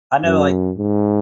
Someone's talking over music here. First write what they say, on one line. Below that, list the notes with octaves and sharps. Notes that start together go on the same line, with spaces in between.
I know, like
F#2
G#2